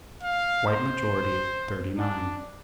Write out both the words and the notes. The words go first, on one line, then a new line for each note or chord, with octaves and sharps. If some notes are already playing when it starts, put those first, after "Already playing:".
White majority, thirty-nine.
F5
C5
D4